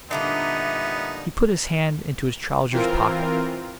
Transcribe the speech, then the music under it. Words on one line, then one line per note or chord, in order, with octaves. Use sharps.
He put his hand into his trousers' pocket.
A#2 D3 G3 A#3 B3 D#4 E5
E3 C4 F4 A#4